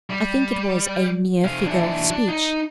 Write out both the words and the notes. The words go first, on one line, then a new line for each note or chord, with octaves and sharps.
I think it was a mere figure of speech.
G3
C3 F5
E3 D4
D4
D#4